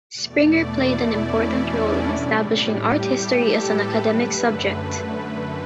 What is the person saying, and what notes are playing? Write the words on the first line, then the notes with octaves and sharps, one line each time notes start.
Springer played an important role in establishing art history as an academic subject.
E2 B2 A3 D5
E4
C#4
D4
A2 G3
G4
A4
B4
F#2 D3 A3
B4